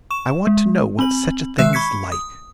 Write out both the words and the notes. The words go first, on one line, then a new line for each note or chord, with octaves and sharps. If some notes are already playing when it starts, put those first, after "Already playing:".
I want to know what such a thing is like.'
C#6 E7
G#3
C4 B5 F#7
D#3 G#3 E5 E6 F#6 E7
B5 C#6 G#6 B6 C#7
D#6